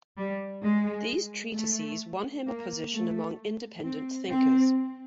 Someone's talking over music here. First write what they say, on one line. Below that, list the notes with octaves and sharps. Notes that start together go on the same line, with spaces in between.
These treatises won him a position among independent thinkers.
G3
G#3
A3
A#3
A3
C4
C4